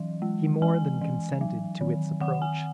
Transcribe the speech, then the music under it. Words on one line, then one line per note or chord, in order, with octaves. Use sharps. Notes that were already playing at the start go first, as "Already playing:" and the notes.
He more than consented to its approach.
Already playing: E3 F#3
G#3
E3 G#5
E3
F#3
D#3
D#3 F#5
G#5